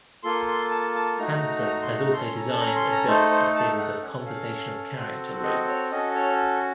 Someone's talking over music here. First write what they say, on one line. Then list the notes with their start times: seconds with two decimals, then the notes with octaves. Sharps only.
Hanson has also designed and built a series of Conversational Character Robots.
0.23 A#3 F4 A4 C6
0.47 C6
0.71 A5
0.95 A5
1.18 A3 D#4 F#4 A#5
1.66 A#5
1.82 C6
1.97 A#5
2.13 A4 C6
2.17 C#4
2.25 C6
2.37 A#5
2.49 A5
2.61 A#5
2.76 C6
2.92 A#5
3.07 A3 D#4 A4 C5
3.31 C5
3.55 A5
3.78 F#5
4.02 C#4 A4 F#5
4.26 F5
4.97 C4 F#4 A4
5.44 D#5
5.68 C#5
5.92 C#4 F#4 A4 D#5
6.15 C#5